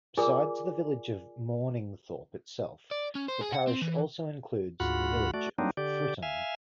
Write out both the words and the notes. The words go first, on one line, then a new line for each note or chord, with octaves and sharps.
Besides the village of Morningthorpe itself, the parish also includes the village of Fritton.
F4 G#4 A#4 D5 G#5 D6
D5
C#4
C5
G#4
F#5
C4
E3
D2 G#2 F4 F#4 F#5 B5
A3 F#4 D5
F#3 G3 A#3 C4 D4 D#4
D3 G4 D5
E5 F5 G#5